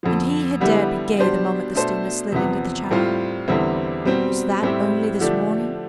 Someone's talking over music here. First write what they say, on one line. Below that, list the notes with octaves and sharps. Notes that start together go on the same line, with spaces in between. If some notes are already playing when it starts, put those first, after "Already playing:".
And he had dared be gay the moment the steamer slid into the channel! Was that only this morning?
F2 D3 F3
D3 G3 B3 E4 G4
B2 G3 D4 G4 C5
B2 A3 D4 A4 C5
E2 C3 F3 B3
A2 G3 C4 F4
E2 D3 G3 C4 E4
B2 G3 C4
A2 G3 C4 E4 G4
D3 F3 A3 D4 G4